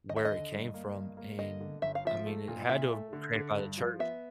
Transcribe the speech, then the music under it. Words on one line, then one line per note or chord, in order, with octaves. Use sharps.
where it came from. And, I mean, it had to have been created by the church.
D#2 D#5
E5
D#5
D3
G2
A#3
G2
A#3
D3 D#5
D3
G1 E5
F5
F3 E5
A3
A#2
A#2 E5
A3
D3
D3
G2
F3
B3 E5